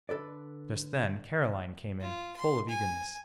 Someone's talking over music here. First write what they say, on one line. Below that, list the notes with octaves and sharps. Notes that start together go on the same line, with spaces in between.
And, just then, Caroline came in, full of eagerness.
D3 A4 B4 D5
F4
C6
G#5